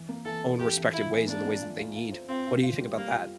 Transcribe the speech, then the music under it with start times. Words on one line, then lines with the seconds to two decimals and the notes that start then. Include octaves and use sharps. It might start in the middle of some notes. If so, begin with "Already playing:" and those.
own respective ways and the ways that they need. What do you think about that?
Already playing: E3
0.09 A#3
0.25 E3 A4
0.43 A4
0.59 E3 G4
0.77 E3
0.93 E4 F4
1.11 E3
1.27 A#3 D4
1.45 A#3
1.61 F4
1.78 F4
1.96 F4
2.12 C5
2.29 C4 F4
2.47 F4
2.63 F4
2.81 G3
2.97 G3 A#3
3.14 F4